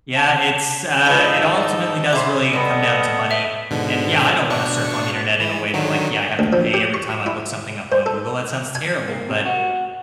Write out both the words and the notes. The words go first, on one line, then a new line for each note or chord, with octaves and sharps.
Yeah, it's, uh it ultimately does really come down to money, and, yeah, I don't wanna surf on the Internet in a way that, like, yeah, I have to pay every time I look something up on Google, that sounds terrible, but,
A5
G#2 E3 F3 D#4 B4 A5 B5 E6
C5 E5 G#5 B5 D6
G3 B3 A4 B4 D#5
E5
G#2 B2 D3
B2 D4 C#6
E3
D3 D#3 F#3
D2
F3
G4
C#6
E4
C5
A4
G#5
A#3
C3
F#4